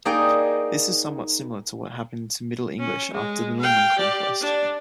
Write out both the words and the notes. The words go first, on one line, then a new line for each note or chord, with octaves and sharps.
This is somewhat similar to what happened to Middle English after the Norman conquest.
A#3 D#4 G#4 D5 D#5 G5
C#4
G#3
F5 G5
G4 D5
D4